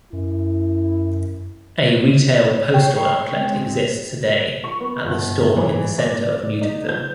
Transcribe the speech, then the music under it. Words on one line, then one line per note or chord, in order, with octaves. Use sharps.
A retail postal outlet exists today at the store in the centre of Newtonville.
F#2 E4
C#5 G5 C#6 C7
G#3 C4
C#6
B3
G1
E3
D5
D#4
G6